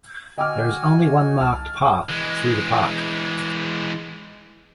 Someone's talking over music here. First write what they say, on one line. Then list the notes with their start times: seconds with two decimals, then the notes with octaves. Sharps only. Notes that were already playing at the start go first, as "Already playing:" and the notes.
There is only one marked path through the park.
0.38 D3 F#4 D#5 G5 G#5 D6 F6
1.41 C2 A5 F6
2.10 E3 G#3